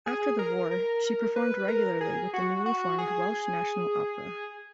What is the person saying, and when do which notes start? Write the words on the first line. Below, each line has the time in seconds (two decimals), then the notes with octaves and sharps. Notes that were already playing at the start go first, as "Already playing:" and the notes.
After the war, she performed regularly with the newly formed Welsh National Opera.
0.06 G#4
0.39 A#4
0.71 A#4
1.36 B4
1.68 A#4
2.01 G#4
2.33 F#4
2.66 F#4
2.98 G#4